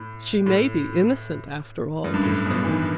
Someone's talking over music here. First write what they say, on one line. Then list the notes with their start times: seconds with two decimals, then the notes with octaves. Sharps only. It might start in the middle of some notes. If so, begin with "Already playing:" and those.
"She may be innocent, after all," he said.
Already playing: A2
0.46 A2
2.04 F#2
2.14 G2
2.23 A2
2.46 B2
2.64 E3
2.68 D#3